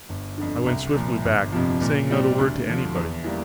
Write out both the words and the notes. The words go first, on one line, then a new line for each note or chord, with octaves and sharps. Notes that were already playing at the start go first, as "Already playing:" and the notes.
I went swiftly back, saying not a word to anybody.
G1
F2 D3
C2
A#2 F3
G1
F2 C3 F3
A#2
G3 C4 G4
D2
D3 F3
E2
E3 G3 A#3